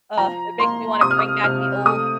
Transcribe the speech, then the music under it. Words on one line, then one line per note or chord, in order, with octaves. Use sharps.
Uh, it makes me wanna bring back the old
F3 A#5
A#3 C6
C3 D#6
F6
D#6
C3 F6
A3 D#6